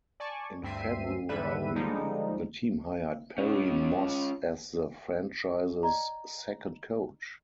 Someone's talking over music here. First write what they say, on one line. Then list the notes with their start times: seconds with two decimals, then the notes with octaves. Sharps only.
In February, the team hired Perry Moss as the franchise's second coach.
0.20 D5 G#5 A5 C#6
0.63 D2 G2 C4 E5 C7 D#7
1.29 G#2 D3 G3 B4 E5 D#7
1.76 D3 F3 G3 G#3 D#4
3.38 C#4 F4
5.83 D5 D#5 A#5